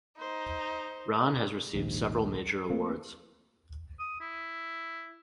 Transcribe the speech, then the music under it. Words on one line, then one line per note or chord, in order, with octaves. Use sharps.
Rahn has received several major awards.
D#4 C5
A#1 D#2 G#2
A3 A#3 C4
D#6
E4